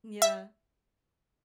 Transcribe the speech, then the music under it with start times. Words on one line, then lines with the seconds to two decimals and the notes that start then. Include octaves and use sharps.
Mm, yeah.
0.22 E5